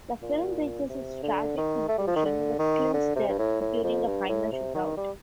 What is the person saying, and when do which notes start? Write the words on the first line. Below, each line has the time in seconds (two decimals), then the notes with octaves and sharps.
The film reaches its tragic conclusion with Clint's death during a final shootout.
0.22 A#2
0.90 C3
1.23 D3
1.57 D#3
1.88 A3
1.98 G3
2.07 F3
2.16 D#3
2.25 D3
2.59 D#3
2.94 D3
3.16 C3
3.29 G2
3.39 A2
3.61 A2
3.84 F2
4.07 G2
4.29 A2
4.52 C3
4.74 D#3
4.97 G3